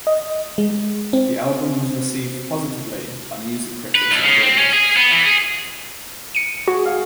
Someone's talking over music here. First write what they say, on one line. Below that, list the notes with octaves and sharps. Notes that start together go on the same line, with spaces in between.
The album was received positively by music critics and journalists.
D#5
G#3
C4
B4
B1
C#3
C4
C#4
G#4
B3
E3
G#4
C#7 D#7
F#4 G#4
F5 F#5 G#5